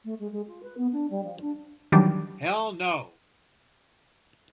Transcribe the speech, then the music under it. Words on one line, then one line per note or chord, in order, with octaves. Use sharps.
Hell no!
A3
G#3
G#3
F4
B4
B3
D4
G3
F3
D4
D#3 E3 F#3 G3 D4 G4